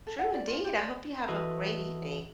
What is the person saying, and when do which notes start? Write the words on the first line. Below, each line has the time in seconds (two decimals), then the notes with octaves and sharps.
True indeed, I hope you have a great evening.
0.07 A4
0.19 F#5
0.34 D5
0.47 F4
0.64 G4
0.77 D5
1.28 E3 F#4 A4 B4 D#5 E5